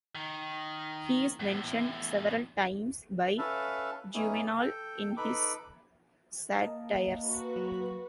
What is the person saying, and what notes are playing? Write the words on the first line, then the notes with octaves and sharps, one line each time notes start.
He is mentioned several times by Juvenal, in his "Satires".
D#3
E2 A2
C#4 A4 B4 E5 F5 A5
A#3 B3 C#4 D#4 E4 G#4
A4 G5
D#4 A4 B4 B5 D6
A#3 A#4 D#5 A5
F#4 B4
F#3